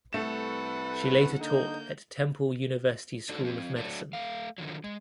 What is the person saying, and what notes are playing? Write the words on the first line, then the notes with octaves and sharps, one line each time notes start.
She later taught at Temple University School of Medicine.
C2 A3 A4 B4 F#5 E7
D3 A#3 D#4 G6
D4 D#4 F#4 A4
F3 C4
F#3 A3 D4
A3 F5
D3 D#3 F3 F#3
G#3